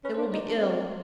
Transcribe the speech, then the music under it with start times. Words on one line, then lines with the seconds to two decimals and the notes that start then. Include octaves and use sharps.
It will be ill.
0.04 C#4 B4
0.15 C5
0.18 D4
0.23 C#5
0.32 D#4 D5
0.47 D4
0.56 B3
0.61 C4 C5